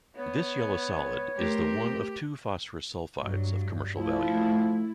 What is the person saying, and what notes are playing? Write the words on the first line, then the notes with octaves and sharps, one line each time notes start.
This yellow solid is the one of two phosphorus sulfides of commercial value.
B3 C#5
A3 G4 A#4 C5
G2 F#3
F3 A3 E4